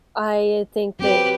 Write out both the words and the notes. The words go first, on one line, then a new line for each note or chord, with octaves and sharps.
I think that
F#3 C4 G4 B4